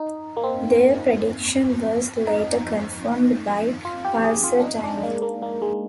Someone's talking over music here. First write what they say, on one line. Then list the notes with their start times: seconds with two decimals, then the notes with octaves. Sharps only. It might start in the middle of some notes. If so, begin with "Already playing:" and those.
Their prediction was later confirmed by pulsar timing.
Already playing: D#4
0.37 A#3
0.43 C4
2.27 D#4
3.85 F4
4.05 G4
4.24 G#4
4.44 F4
4.60 D4
4.64 D#4
4.84 D4
4.97 G#3
5.03 A#3
5.22 A#3
5.42 A#3
5.62 G#3